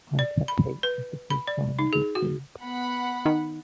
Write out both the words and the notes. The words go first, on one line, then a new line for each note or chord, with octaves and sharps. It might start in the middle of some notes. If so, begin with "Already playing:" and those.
"Hi-Tech Hate" is the first song of this scene.
D5
B5
B4
B5
D5
D#4
G#4
F#4
B3 F#5 B5
D#3